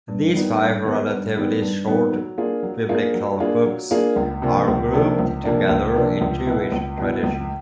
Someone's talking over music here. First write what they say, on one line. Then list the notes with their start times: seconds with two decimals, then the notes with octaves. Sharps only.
These five relatively short biblical books are grouped together in Jewish tradition.
0.08 G2
0.34 D#3 G3 B3 D#4
0.59 G2
0.85 D#3 G3 B3 D#4
1.10 G2
1.35 D#3 G3 B3 D#4
1.61 G2
1.87 D#3 G3 B3 D#4
2.12 F#3
2.38 A#3 D4 F4 G#4
2.63 F#3
2.89 A#3 D4 F4 G#4
3.14 F#3
3.40 A#3 D4 F4 G#4
3.66 F#3
3.91 A#3 D4 F4 G#4
4.16 C#2
4.42 C3 F3 A#3 D4
4.68 C#2
4.93 C3 F3 A#3 D4
5.19 C#2
5.44 C3 F3 A#3 D4
5.69 C#2
5.95 C3 F3 A#3 D4
6.21 C#2
6.46 B2 F#3 B3 E4
6.72 C#2
6.98 B2 F#3 B3 E4
7.23 C#2